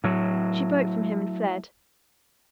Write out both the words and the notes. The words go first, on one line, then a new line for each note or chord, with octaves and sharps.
She broke from him and fled.
A2 F#3